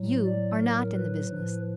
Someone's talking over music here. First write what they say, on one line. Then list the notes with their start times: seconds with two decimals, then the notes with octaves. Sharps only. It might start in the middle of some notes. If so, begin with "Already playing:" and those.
You are not in the business.
Already playing: A2 F#3
0.26 D5
0.60 A#4
0.95 B4
1.30 A2 F3 B4